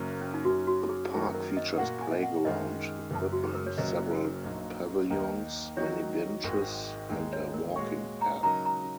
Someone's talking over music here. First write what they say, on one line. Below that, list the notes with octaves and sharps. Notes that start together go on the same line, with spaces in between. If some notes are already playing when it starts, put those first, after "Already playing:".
The park features playground equipment, several pavilions, many benches, and a walking path.
Already playing: F#1 F#2 F#3 A#3
C#4
D#4
F#2 F#3 C#4 F#4
F#4
G#4
F#2 D#3 F#3 A#3 F#4 G#4
A#4
D#5
A#2 A#3 F#4 F#5
G#5
D#5
F#5
F#2 D#3 G#3 D#5
F#1 F#2 F#3
F#4
G#4
A#4
C#5
F#1 F#2 F#3 A#3 D#5
A#1 A#2 F#3 D#4
D#2 D#3 A#3 D#4 A#4
D#3 F#3 D#4 F#4 C#5
G#1 G#2 D#3 G#3 F#4
D#2 D#3 G#3 D#4 A#4
C#5
A#4
A#2 G#3 F#4 C#5 C#6
A#5
C#3 F#3 D#4 A#4 D#5 A#5
A#5